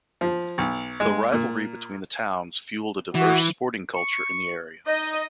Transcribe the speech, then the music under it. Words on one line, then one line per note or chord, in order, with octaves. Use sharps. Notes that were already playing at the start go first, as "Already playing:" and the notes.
The rivalry between the towns fuelled a diverse sporting culture in the area.
F3
B1
G#3
A#2
E3 F#4
C#6
D#4 D#5